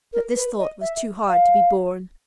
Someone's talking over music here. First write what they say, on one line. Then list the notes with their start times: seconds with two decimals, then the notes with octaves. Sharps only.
But this thought was too hard to be borne.
0.13 A#4
0.36 B4
0.59 D#5
0.81 E5
1.28 F5